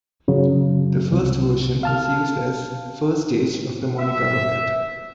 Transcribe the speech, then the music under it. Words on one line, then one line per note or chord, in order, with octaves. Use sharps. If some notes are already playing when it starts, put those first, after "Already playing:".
The first version was used as first stage of the Monica rocket.
F#2 C#3 F#3
C2
F5 A5 F6
E5